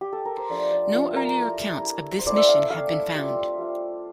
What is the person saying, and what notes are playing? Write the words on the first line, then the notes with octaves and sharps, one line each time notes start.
No earlier accounts of this mission have been found.
G4
A4
A#4
C5
F3 A3 D4 F4 D5
D5
F3 A3 D4 F4 E5
A#4
A3 E4
A3 E4
C5
A3 C4 E4 D5
E5
F5
E5
A3 C4 E4 F5
E5
G3 C4 F4
G3 C4 F4